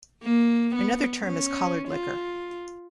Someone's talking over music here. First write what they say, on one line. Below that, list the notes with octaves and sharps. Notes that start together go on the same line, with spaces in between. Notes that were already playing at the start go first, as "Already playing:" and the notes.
Another term is collard liquor.
A#3
B3
C#4
F4